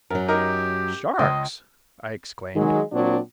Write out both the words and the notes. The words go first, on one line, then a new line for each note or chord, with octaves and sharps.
"Sharks?" I exclaimed.
F#2 F#3 A#4
D#4 G4 A#4
C#2 C5 D#5
D#3 F#3 G#3
A#2 F#3 C4 D4